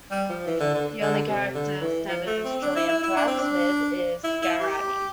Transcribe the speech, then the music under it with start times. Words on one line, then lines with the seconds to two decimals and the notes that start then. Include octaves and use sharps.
The only character Stebbins truly interacts with is Garraty.
0.11 G3
0.29 F3
0.47 E3
0.60 D3
0.74 D3
1.01 D3
1.28 C3
1.55 D3
1.81 E3
2.09 F3
2.27 A3
2.45 C4
2.62 D4
2.76 E4
2.89 E4
3.03 E4
3.16 D4
3.28 C4
3.39 D4
4.24 E4
4.42 E4
4.60 G4